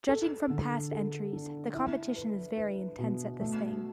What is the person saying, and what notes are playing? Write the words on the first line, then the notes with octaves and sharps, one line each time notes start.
Judging from past entries, the competition is very intense at this thing.
A4
D3
A4
D4
E4
B4
B4
B2
A3